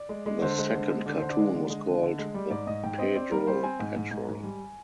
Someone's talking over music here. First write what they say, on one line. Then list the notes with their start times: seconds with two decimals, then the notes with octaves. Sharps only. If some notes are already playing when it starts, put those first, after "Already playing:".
The second cartoon was called "The Pedro Patrol".
Already playing: D5
0.09 G#3
0.26 G#3
0.42 D3 C5
0.58 G#3
0.75 D3
0.90 G#3
1.06 D3 D5
1.19 D3 C5
1.30 D5
1.39 G#3
1.55 D3
1.70 G#3 D#5
1.87 D3
2.03 D3
2.19 G#3
2.34 G3 D5
2.51 G#2 D5
2.67 G#2 D#5
2.83 G#2 G5
2.99 C4 D#5
3.15 C4 D5
3.32 G3 A#4
3.47 G3 C5
3.63 C4 G#5
3.80 G#2
3.96 G#2
4.11 G#2
4.28 G#2
4.43 G3